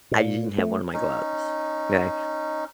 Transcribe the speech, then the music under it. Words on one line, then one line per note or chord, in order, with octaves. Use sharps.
I didn't have one of my gloves. 'Kay?
A#2
A3
C#4 D#4